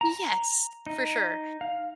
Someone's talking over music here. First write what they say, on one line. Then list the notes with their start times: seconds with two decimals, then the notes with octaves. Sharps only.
Yes, for sure.
0.01 A#5
0.87 D#4
1.61 F5